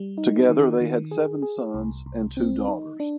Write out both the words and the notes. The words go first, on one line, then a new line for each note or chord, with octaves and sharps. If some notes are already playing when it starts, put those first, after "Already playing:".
Together they had seven sons and two daughters.
Already playing: G3
D#4
D#3
D#3
G#4
G#4
C2
C2
C4
D#4
D4